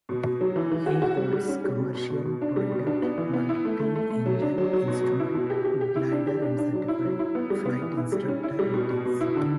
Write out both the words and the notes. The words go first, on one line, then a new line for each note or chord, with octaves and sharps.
He holds commercial pilot, multi-engine instrument, glider and certified flight instructor ratings.
B2
B2
F#3
E3
E3
F#4
F#4
G3
G3
C#4
G3
B2
B2
B2
B2
D4
G3
B2
D4
B3
E3
B3
E4
A3
A3
A3
A3
F#3
D4
F#3
F#3
B2
B2
E4
B2
G4
G4
G4
E4
D4
G4
D4
D4
F#3
E4
F#3
E4
B3
G3
B3
E3
E4
G3
C#4
E4
G3
B2
B2
B2
E4
D3